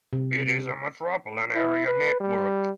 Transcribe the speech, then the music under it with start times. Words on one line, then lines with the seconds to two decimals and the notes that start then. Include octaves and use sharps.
It is a metropolitan area network.
0.13 C3
1.55 E4
1.87 B4
2.20 G3